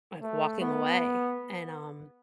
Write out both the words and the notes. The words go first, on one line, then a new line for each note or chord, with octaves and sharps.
Like walking away and, um
A3
B3